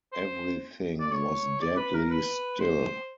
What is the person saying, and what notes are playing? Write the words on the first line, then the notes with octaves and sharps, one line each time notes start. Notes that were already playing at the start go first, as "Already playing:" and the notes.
Everything was deadly still.
C5
D5
C#5
D5
B4
A#4
B4
C5